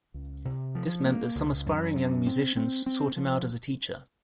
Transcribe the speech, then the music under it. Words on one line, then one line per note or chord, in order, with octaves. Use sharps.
This meant that some aspiring young musicians sought him out as a teacher.
C#2
C3
F3
A#3
C#2
F#2
F#2
C4
C4
C4
F3